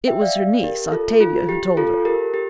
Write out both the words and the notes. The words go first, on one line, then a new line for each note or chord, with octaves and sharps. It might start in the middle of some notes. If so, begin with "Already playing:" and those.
It was her niece, Octavia, who told her.
E5 G5
D5 F5
G4 A#4
F4 A4
F4
G4
F4 A4
G4 A#4
G4